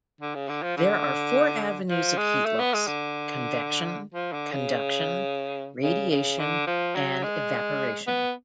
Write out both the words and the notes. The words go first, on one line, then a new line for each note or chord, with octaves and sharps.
There are four avenues of heat loss: convection, conduction, radiation, and evaporation.
D3
C#3
D3
F3
D3
F3
G#3
A3
B3
G#3
D3
F3
D3
C#3
C#3
C#3
D3
F3
F#3
G#3
B3